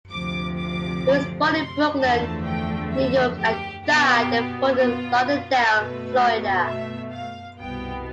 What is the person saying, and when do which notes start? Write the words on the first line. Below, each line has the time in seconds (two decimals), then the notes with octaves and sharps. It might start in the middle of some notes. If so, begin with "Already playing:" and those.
He was born in Brooklyn, New York and died in Fort Lauderdale, Florida.
0.10 D2 C3 F3 D6
0.57 D6
1.50 C6
1.97 E2 D3 F3 A3 A5
2.44 G5
2.91 E5
3.37 G4
3.84 B2 B3 G4
4.78 F4
5.71 B2 A3 B4
6.65 E5
7.11 F5
7.58 C2 B2 B3 G5